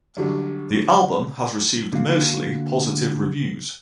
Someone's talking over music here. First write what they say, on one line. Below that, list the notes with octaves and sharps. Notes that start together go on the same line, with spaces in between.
The album has received mostly positive reviews.
A1 D3 F#3 G3 D4
D3 A#3 F#4 F5